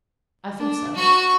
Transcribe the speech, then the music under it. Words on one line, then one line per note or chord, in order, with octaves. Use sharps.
"I think so."
D4
F#4 C#6